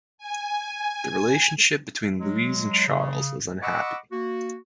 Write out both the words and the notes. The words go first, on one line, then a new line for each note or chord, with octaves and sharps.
The relationship between Louise and Charles was unhappy.
G#5
F#3 G#3
C#3
D#5 F#5 B5 C#6 D6 E6
A#3 F#4